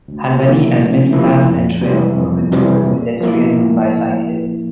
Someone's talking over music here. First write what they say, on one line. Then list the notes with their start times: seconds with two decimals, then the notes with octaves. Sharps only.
Albany has many paths and trails open to both pedestrian and bicyclists.
0.08 D2
0.43 C3 F3 A#3 E4
0.77 D2
1.13 C3 F3 A#3 E4
1.47 F2
1.82 C3 E3 G3 C4
2.17 F2
2.52 C3 E3 G3 C4
2.86 A#2
3.21 F3 A#3 E4
3.56 A#2